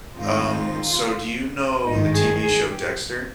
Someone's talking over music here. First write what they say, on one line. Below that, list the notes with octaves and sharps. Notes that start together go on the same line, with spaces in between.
Um, so do you know the TV show Dexter?
G#2 D#3 G#3 C4 D#4 F4
G#1 G2 D#3 D#4
G#4
G#4
G4